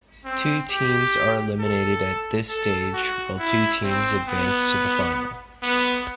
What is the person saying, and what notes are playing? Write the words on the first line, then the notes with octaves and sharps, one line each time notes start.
Two teams are eliminated at this stage, while two teams advance to the final.
C4
G4
A4
A4
F#4
E4
C4
B3
B3